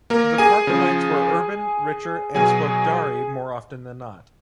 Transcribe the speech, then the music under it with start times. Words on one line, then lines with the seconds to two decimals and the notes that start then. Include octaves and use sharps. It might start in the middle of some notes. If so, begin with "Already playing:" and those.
The Parchamites were urban, richer, and spoke Dari more often than not.
0.10 A#3 A#4
0.38 G#4 G#5
0.67 C#3 F3
2.35 B2 F#3 G#4 G#5